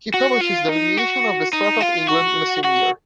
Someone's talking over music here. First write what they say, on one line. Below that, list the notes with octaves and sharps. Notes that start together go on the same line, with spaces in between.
He published his "Delineation of the Strata of England" in the same year.
F#4
F4
D#4
F#4
D#4
F4
F#4
F#4